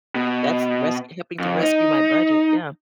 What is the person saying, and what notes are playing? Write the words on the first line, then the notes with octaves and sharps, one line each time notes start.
That's res helping to rescue my budget, yeah.
B2
F2
D#4